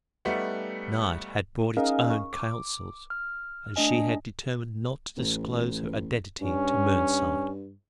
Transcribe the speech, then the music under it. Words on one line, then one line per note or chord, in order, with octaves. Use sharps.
Night had brought its own counsels, and she had determined not to disclose her identity to Mernside.
G3 A3 B3 D#4 F#5
C#4 D#4 G#4 A#4 D#5 F5
C#6
D6
F6
A3 D4 D#5 G#5
A1
G2 C#4